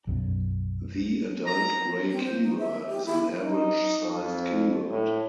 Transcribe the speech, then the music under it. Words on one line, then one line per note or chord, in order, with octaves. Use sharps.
The adult gray kingbird is an average-sized kingbird.
B1 F#2
A#5
C4
C5
D#4
E5
G4
E4
D#4
F2
A2